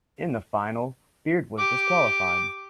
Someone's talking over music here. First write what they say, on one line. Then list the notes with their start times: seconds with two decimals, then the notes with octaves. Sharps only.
In the final, Beard was disqualified.
1.58 G4 D6